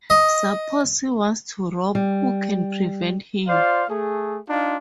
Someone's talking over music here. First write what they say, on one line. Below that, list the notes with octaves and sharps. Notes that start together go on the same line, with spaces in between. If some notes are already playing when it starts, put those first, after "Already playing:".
Suppose he wants to rob — who can prevent him?
D#5
G3
F4 C5 D5 F5
A3 G#4
D4 D#4 F4